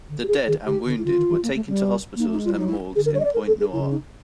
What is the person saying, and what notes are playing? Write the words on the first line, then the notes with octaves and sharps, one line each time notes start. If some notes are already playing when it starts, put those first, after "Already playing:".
The dead and wounded were taken to hospitals and morgues in Pointe-Noire.
D3
G4
G#4
D#3 G#4
D3 G4
D3
E4
D3 F4
D#3
E3
A#3
A3
G3
A#3 D#4
A3
D#4
G#3
F4
G3
E4
F#3 D#4
E4
D3 G#4
A#4
C#5
D#5
D5
A#4
A4
G#4
C#3 E4
D#4